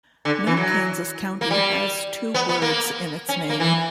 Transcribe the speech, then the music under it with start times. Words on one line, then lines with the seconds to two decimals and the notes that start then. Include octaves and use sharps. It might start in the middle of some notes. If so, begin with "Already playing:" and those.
No Kansas county has two words in its name.
0.25 D3
0.47 E3
0.57 F#3
1.41 A#3
1.50 G3
2.34 B3
2.49 B3
2.62 A#3
3.29 C#4
3.49 A#3
3.60 E3